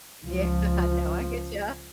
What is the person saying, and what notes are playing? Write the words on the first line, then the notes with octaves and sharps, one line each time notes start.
Yeah, no, I get ya,
C#2 F3